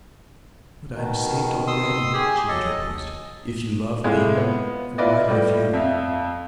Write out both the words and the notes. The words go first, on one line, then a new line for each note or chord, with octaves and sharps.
"But I am saved already," she interposed, "if you love me--for I love you."
B2 D#3
C6 D#6 E6
G4 G#4 G#5
F#3 A4 D#5
A2 C3 G#3 E4 F4 G#4
B3
E4 F4 B4 D5 D#5
A2 G3 A3
F2 E5 F5